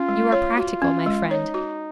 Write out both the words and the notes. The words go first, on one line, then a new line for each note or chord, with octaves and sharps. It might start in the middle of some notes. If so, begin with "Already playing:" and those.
'You are practical, my friend.
Already playing: C#4 F4
G#3
C#5
F4 F#4
C#4
G#3
D#4 C#5
F#4